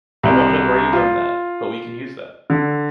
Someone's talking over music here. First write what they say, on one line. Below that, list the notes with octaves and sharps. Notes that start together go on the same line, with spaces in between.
I don’t know where you learned that, but we can use that.
C2
F4
D3